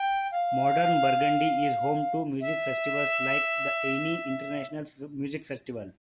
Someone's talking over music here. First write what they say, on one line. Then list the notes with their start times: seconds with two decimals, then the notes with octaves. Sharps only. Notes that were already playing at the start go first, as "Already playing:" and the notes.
Modern Burgundy is home to music festivals like the Ainey International Music Festival.
Already playing: G5
0.31 F5
2.41 E5